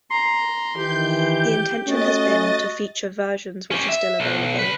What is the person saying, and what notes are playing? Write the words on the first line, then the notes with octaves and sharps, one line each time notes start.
The intention has been to feature versions which are still available.
A#5 C6
D#3 E3 G4 G6
A3 C#4 F#4 D#5 A6
C#4 G4
E5
B1
C#3 B4